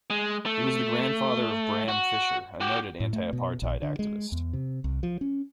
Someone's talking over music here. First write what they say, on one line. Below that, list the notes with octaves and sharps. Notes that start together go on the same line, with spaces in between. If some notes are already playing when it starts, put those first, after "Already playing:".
He was the grandfather of Bram Fischer, a noted anti-apartheid activist.
G#3
A3
F#4
F#4 G4
A2
A3
B2
A#1
D3
G#3
E2
C3
C2
F3
C#4